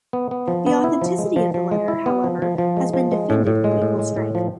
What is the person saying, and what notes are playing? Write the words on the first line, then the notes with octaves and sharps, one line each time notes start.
The authenticity of the letter, however, has been defended with equal strength.
B3
B3
F3
B3
E4
F3
G#3
F3
F3
G#3
E4
B3
F3
F3
F3
G#3
F3
G#3
A2
A2
G#3
A2
G#3
A2
F3